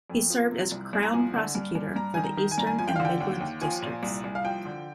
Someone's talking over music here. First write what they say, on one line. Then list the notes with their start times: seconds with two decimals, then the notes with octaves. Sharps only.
He served as crown prosecutor for the Eastern and Midland Districts.
0.10 F2
0.30 F3
0.51 C3
0.72 C2
0.93 C2
1.03 A#5
1.13 F3 G#5
1.34 D3
1.55 G2
1.75 G2
1.96 G2 A#5
2.14 D#3 G#5
2.24 A#5
2.37 D#3
2.51 G#5
2.58 G2 A#5
2.67 G#5
2.79 F3 G#5
2.88 G5
2.96 F5
3.00 D3
3.05 G5
3.20 D#2
3.41 D#2
3.62 F3 G#5
3.82 A#2
4.03 C2
4.24 C2
4.35 F5
4.45 F3 G5
4.65 D3